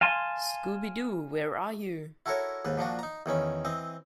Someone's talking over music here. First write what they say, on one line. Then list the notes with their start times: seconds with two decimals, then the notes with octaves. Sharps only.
Scooby-Doo, Where Are You!
0.01 F5 G#5 A5 C6
2.26 E4 F#4 A4 A#4 C#5 E5
2.65 D#2 G#2 B4
2.78 A#2 F3 D4 F#4
2.99 D#4 A#5
3.26 E2 D#3 C#4 B5
3.65 E3 C4 D#5